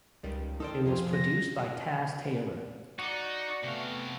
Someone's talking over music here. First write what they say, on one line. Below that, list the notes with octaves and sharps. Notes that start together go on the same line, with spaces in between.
It was produced by Taz Taylor.
C#2 D#3 G3
D#4 A4 A#4 C5 D5 G5
F2 F4 G4 G#4 C5
A#6
D#4 F#4 D5
C3 A3 B3 F5